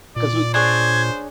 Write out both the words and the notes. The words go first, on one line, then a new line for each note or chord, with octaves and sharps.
'Cause we
A#2 D5
D4 G#4 C5 C#5 G#6